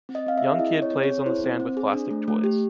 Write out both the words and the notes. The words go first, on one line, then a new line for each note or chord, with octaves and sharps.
Young kid plays on the sand with plastic toys.
C4
D#5
C4 F5
E5
G#4
E4 D#5
C4
C#5
C4
C#5
G#4
E4 C5
C4
C4
G#4
D4
A3
A3
G4